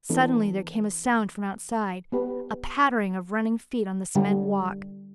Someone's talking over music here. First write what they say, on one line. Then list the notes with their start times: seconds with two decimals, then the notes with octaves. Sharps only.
Suddenly there came a sound from outside--a pattering of running feet on the cement walk.
0.10 E3 B3 D4 A4
2.12 B3 G4 B4
4.15 D3 G3 D4 G4